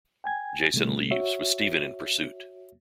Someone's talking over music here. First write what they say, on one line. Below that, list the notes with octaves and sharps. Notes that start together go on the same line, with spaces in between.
Jason leaves with Steven in pursuit.
G5 G#5 G#6
B2 D3 G3 A3
F#4 C#5 E5